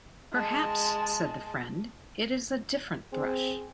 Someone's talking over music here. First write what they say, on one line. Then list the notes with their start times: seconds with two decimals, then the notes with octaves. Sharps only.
"Perhaps," said the friend, "it is a different thrush."
0.33 G#3 A5
3.12 C4 G#4